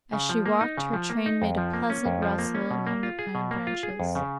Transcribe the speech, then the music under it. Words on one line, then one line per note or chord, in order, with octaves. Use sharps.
As she walked, her train made a pleasant rustle among the pine branches.
C#3
F3
A#3
D#4
C#3
F3
A#3
D#4
F2
F3
A#3
C#4
F2
F3
A#3
C#4
B2
A#3
F4
G#4
B2
A#3
F4
G#4
F2
C#3